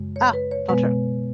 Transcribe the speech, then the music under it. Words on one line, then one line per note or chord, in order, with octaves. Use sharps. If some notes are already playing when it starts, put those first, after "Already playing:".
Ah! So true.
Already playing: F#2 C#3 G#3
C#5
B4
C#5
B2 G#3 B3 B4